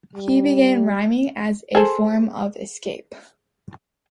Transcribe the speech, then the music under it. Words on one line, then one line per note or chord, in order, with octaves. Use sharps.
He began rhyming as a form of escape.
G3
G#4 A4 C5